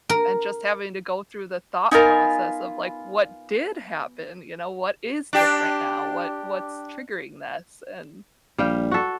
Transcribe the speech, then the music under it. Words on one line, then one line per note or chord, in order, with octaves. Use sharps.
and just having to go through the thought process of, like, "What did happen?" you know, "What is different now? What what's triggering this and"
A#4
B3 D#4 F4 A#4 G#5
D4 G4
A#1 G3 F5 G5
F#4 A4